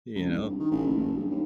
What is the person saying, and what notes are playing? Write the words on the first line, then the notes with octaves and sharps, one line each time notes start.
You know?
C#2
C2
G2
D#3
A1
F#1
F#1
G2
D#2